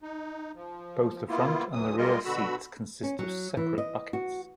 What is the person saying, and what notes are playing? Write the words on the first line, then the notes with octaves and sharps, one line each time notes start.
Both the front and the rear seats consist of separate buckets.
D#4
F3
A#3 B3 E4 F4
D2 E3 F#3 D#6
G3 G#3 A#3 F4 A#4 D#5
B2 D3 F#4 B5 E6
C#4
F#3
E3
D#5
F#4